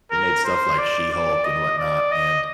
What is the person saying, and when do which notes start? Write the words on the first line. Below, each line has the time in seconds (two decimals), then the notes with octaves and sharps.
they made stuff like She-Hulk and whatnot, and
0.11 A#4
0.45 C5
0.78 D5
1.12 D5
1.44 D#5
1.78 D5
2.11 D#5